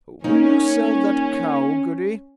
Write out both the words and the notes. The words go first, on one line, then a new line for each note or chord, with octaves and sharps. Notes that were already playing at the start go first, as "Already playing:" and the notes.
'Will you sell that cow, Goody?'
A#3 C#4 D#4 C#5